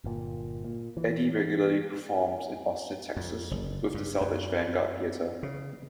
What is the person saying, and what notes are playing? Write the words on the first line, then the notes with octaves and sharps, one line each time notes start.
Eddy regularly performs in Austin, Texas with the Salvage Vanguard Theater.
G1 A#2
A#2
E3
F2
F#1
G2
F#2
C#3